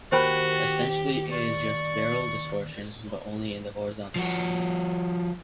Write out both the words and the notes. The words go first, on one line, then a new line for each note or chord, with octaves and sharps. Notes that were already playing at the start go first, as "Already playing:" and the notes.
Essentially it is just barrel distortion but only in the horizontal plane.
D#2 F#4 G4 A#4 C5 G5 B5
D5 C#6
F3 F#4